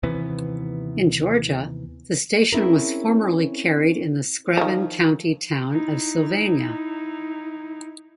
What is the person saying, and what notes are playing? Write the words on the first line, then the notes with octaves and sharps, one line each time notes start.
In Georgia, the station was formerly carried in the Screven County town of Sylvania.
D#2 C3 E3 B3
C4 C#4 E4 G#4 A#4
D#3 F3
D#4 E4